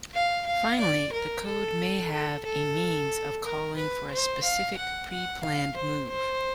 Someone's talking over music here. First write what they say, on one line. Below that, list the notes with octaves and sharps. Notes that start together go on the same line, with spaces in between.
Finally, the code may have a means of calling for a specific pre-planned move.
F5
F5
D5
A#4
A4
A4
A4
A#4
B4
C5
F5
F#5
F#5
F5
C5
C5